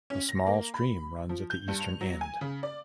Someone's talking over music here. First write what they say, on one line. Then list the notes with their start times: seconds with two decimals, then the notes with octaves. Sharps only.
A small stream runs at the eastern end.
0.10 C#4
0.29 A#6
0.47 A#3
0.74 B5
1.29 F3
1.50 G6
1.68 G2
1.80 F7
2.01 F#3
2.21 G#5
2.41 C#3
2.63 D5